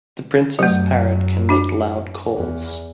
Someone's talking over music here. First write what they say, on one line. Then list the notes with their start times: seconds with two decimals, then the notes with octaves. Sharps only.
The princess parrot can make loud calls.
0.59 F#3
0.63 F#2 A3
1.49 D4 F#4
2.36 E2